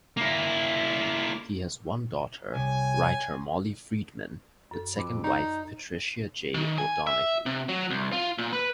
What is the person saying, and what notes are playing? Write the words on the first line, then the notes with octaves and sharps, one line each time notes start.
He has one daughter-writer Molly Friedman-with second wife Patricia J. O'Donohue.
A#3 E4
C2 C#5 G5 G#5
F#2 A4
F2 B5 D6
D#4 D5 A#5
D#3
G#5
E5
C3
F#3
C2
F4
A#2
B4